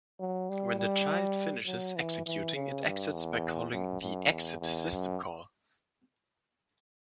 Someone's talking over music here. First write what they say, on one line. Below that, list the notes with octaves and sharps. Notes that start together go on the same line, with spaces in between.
When the child finishes executing, it exits by calling the "exit" system call.
F#3
G3
G3
F#3
E3
E3
C#3
G2
E2
F#2
F#2
E2
E2
F#2